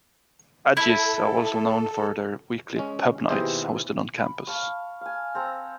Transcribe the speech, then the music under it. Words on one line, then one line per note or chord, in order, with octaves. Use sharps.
Aggies are also known for their weekly 'pub nights' hosted on campus.
E4 A4
G#3 C#4
D#2 B2 E4 G4 G#4 C5
B5
F5 A5 C#6
F5 G#5
C4 A4 A#5